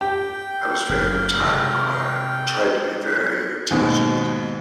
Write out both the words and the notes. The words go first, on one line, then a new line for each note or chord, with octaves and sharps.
I was very retired and quiet, and tried to be very diligent.
G4 G5
F#1 A#2 C#3 F6
G#1 C3
D#2 G#2 B2